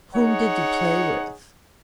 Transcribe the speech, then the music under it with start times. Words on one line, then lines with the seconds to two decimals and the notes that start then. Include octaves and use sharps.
"Whom did you play with?"
0.14 D#4 G#4 C#5 F#5